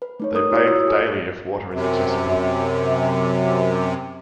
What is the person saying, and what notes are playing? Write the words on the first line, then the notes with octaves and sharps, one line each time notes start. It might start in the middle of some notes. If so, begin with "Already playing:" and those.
They bathe daily if water is accessible.
B4
A3 D#4 C#5
A#4 D#6
E4 F#4 C#5
F4 C#5 D#6 E6
G#4 A4 C5
F#2 C3